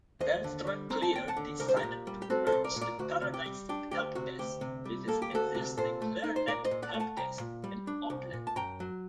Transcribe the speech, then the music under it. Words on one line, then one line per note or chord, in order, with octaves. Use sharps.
TelstraClear decided to merge the Paradise helpdesk with its existing Clearnet helpdesk in Auckland.
D#2 C5 D#5
D3
G3
C4 A#5
A5
D#2 G5
F#5 A5
D3
C2 A#4
C5
G4 A#4
A#2
G3
G4
C4 F#4 A4
A4 C5
C2
A#4 D5
A#2
A#4 D5
D2 F#4
C3
G4
G3
D4 G4
D2 G4
C3 F#4
D2 G4
C3
G3
A#3 A4
G4
D2 F#4 A4
C3
A#2 A4 C5
A3
D#4
C5
A#2 A#4 D5
C5 D#5
A#2
D5 F#5
A3
F#5 A5
C2 G5 A#5
A#2
G3
D4
C2
A#2
A5
F#2 G5 A#5
F#3